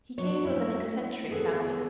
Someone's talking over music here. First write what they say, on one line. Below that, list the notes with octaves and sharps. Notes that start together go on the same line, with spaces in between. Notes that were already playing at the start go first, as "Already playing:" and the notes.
He came of an eccentric family.
F#3 C#5
C#4 E4
B3 G#4 A4 B4